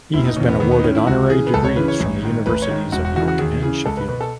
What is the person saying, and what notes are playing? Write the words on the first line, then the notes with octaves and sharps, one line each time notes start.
He has been awarded honorary degrees from the Universities of York and Sheffield.
F#1 E4
D#4
E2 B2 C#4
B3
D#2 B3
B3
D#4
D#3 C#4
E4
C#2 F#4
C#3 E3 G#4
B4
C#2 A4
C#5
C#3 E3 B4
C#5
A1
G#2 D#3
A1 B4
C#5
G#2 D#3
E1 F#4
F#4
E2 C#3 E3 F#4
F#4
D#2 G#4
C#3 E3 G#4
C#2 A4
B4
B2 B4
A4